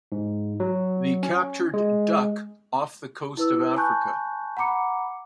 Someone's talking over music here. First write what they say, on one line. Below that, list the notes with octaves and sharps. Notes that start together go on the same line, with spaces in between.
The captured "Duck" off the coast of Africa.
G#2
F#3
C#4
G#3
E4 B4 E6
G#5 A5 B5 C#6 F#6 G6
F#5 A#5 B5 D6 C#7